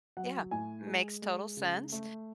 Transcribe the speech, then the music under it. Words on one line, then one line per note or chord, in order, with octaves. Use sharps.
Yeah. Makes total sense.
F#3 F#5
A2 G#5
G#3
G#3
C#3
A3